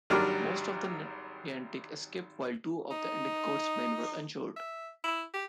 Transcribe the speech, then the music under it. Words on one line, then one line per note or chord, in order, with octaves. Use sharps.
Most of the Niantic escaped, while two of Endecott's men were injured.
G#1 F#3 G3 D4 A#4 F6
D#4
E5
E4
G4